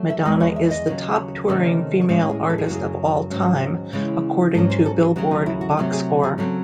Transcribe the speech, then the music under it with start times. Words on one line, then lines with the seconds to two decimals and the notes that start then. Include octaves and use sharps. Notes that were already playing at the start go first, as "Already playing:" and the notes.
Madonna is the top touring female artist of all time according to "Billboard" Boxscore.
Already playing: F#3 A3
0.10 E5
0.25 E2 D#3 G#3 D#5
0.40 C#5
0.56 E5
0.71 D#5
0.86 D#2 C#3 F#3
1.48 C3 D#3 A3 C#4
2.01 C#5
2.09 A2 G#3 C#4 C5
2.29 G#4
2.50 A4
2.58 G#4
2.66 F#4
2.70 F#2 C#3 F#3 G#4
3.31 G#2 D#3 F#3 C#4 F#4
3.93 C#3 E3 G#3
4.54 G#2 F#3 C#4 A4
4.70 C5
4.85 A4
5.01 G#4
5.16 D#2 C#3 F#3 A3 F#4
5.31 D#4
5.46 E4
5.61 F#4
5.77 C3 F#3 A3
5.92 G#4
6.23 G#4
6.38 C#3 F#3 C4 A4